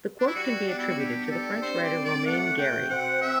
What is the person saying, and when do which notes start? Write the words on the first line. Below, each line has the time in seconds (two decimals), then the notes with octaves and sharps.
The quote can be attributed to the French writer Romain Gary.
0.20 D4
0.27 E4
0.34 G3 F#4
0.66 B3 D4
0.78 E4
0.88 F#4
0.98 D4 G4
1.26 G4
1.30 G3 A4
1.62 C4 C5
1.83 D5
1.94 C4
2.05 D5
2.26 A3 F#5
2.58 B2 G5
2.90 C4 F#5
3.21 C4 E5